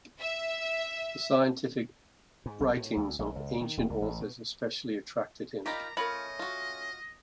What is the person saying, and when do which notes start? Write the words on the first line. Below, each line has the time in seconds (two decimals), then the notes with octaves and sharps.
The scientific writings of ancient authors especially attracted him.
0.20 E5
2.46 G#2
2.60 B1
2.77 A2
2.97 D2
3.19 A#1
3.36 C#2
3.61 D#3
3.77 E1
3.90 C#2
4.02 A1
4.21 B2
5.66 D#4 F4 G4 A#4 D5 A#5 B5
5.97 A3 C#4 F4 A#4 D#5 B5
6.39 F4 F#4